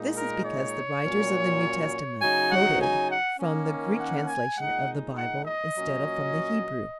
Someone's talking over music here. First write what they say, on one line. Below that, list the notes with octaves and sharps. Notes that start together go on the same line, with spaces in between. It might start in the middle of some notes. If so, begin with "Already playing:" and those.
This is because the writers of the New Testament quoted from the Greek translation of the Bible instead of from the Hebrew.
Already playing: A#2 G#3 D#4
A#4
C#5
A#2 F#3 C#4
C#3 F#3 D#4 G#5
F#5
G#5
F#5
D#3 A#3 C#4
F#5
G#5
A#2 G#3 D#4 F#5
F#5
D#5
A#2 F#3 C#4